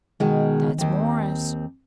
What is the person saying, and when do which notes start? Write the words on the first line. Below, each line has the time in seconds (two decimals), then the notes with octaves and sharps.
That's Morris.
0.20 B2 D#3 G#3
0.78 D#2 C4